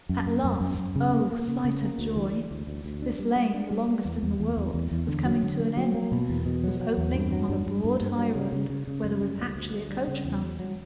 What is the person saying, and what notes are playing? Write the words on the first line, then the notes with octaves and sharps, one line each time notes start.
At last--oh, sight of joy!--this lane, the longest in the world, was coming to an end, was opening on a broad highroad, where there was actually a coach passing!
F#2
A#3
F#2
F#2
F#2
C#3
A#3
A#3
C#3
C#3
A#3
D2
E3
D2
D2
D2
D2
D4
G3
G3
D4
G3
B3
E2
E2
E2
E2
E2
E2
D3
F#3
D3
A#3
F#3
A#3
B2
E2
B2
F#3
F#3
E2
G2
F#3
G2
G2
G2
G2
F#3
C#3
C#3
C#3
C#3
F#2
G3
D2
D2
D2
G3
C#3
E2
F#3
F#3